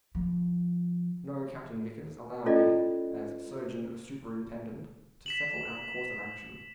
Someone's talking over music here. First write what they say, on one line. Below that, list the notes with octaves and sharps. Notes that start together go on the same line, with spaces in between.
No, Captain Vickers, allow me, as surgeon-superintendent, to settle our course of action.
F3
C#4 E4 F4 A4 D5 D#5
B6 E7 F#7